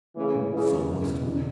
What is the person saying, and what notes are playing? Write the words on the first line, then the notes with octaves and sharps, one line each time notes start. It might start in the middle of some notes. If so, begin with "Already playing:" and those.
"So must we."
C#3 E3 A3
G#2
C#3 E3 E4
C#3
E2
B2
E2